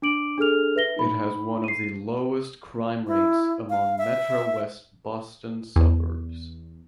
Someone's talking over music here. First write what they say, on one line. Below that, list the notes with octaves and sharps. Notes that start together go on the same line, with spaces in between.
It has one of the lowest crime rates among Metro-west Boston suburbs.
D4 D6 D7 F#7
D4 G#4 A4 F6 F7
B4 E5 A#6 G7
D#4 B5
C7 D#7
E4
F5
E5
E2